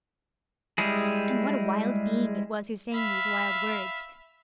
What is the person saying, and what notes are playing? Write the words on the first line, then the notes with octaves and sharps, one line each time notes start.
And what a wild being it was who sang these wild words!
G3 G#3 E4 G#4
E5 F5 B5